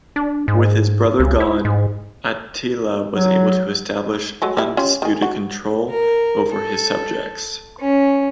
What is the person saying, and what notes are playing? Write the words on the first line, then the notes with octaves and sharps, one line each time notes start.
With his brother gone, Attila was able to establish undisputed control over his subjects.
D4
G#2
C#2
E4
G#2
F#3
F#3 G#3 A3
G3 E4
C#4 F4 G4
D#3 G#4
F#4
A#4
A4
C#4